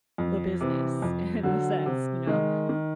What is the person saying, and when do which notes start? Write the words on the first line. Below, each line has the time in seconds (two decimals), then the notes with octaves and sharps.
the business in the sense, you know?
0.18 F2
0.61 C3 E3
1.02 F2
1.43 D3 F#3
1.86 C3
2.27 D#3 G#3
2.69 D#3